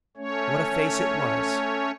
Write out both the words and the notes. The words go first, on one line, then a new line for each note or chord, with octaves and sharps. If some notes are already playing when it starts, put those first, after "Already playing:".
What a face it was!
A3 C#4 C#5